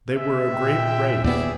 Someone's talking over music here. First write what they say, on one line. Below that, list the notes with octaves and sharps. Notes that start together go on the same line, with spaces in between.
They were a great race.
G#3 E5
A#2 G5
D#2 B3 G#4 D5 E5